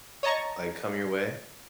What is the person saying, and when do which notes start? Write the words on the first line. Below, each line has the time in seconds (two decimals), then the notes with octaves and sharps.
like, come your way.
0.23 C#5 D#5 A5 A#5 C#6